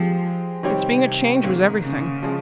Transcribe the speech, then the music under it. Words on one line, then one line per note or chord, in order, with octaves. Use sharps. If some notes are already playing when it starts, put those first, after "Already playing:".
Its being a change was everything.
Already playing: F3 G#3 C4 G4
C3 D#3 G3 C4 G4 C#5
G#2 D#3 A#3
C#3
F3 G#3